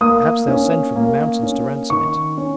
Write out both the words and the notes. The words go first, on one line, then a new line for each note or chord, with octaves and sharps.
Perhaps they'll send from the mountains to ransom it.'
A#3 D#6
C#4
A#3
C#4
D#3 C#6
C#4